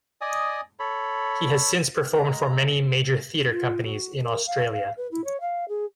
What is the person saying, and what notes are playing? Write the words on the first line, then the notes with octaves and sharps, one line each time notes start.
He has since performed for many major theatre companies in Australia.
D5 D#5 G#5 D#6
A4 C#5 B5
G#3 A#5
F4
F#4
A#4
F5
F5
B4
E4
C#5
F5
G#4